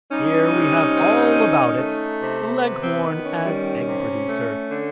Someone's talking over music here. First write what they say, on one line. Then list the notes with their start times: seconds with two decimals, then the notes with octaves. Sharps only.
Here we have all about it: 'The Leghorn as egg-producer.
0.11 G3 C#4 D#4
0.53 C3
0.95 C4
1.36 D#3
1.78 A3
2.20 C3
2.61 B3
2.82 C4
3.03 D#3
3.24 C#4
3.45 G3
3.86 C3
4.28 A3
4.70 D3